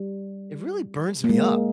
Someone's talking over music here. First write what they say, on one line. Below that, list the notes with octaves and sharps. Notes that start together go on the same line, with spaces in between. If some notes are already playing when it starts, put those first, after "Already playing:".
it really burns me up,
Already playing: G3
A#3
G#3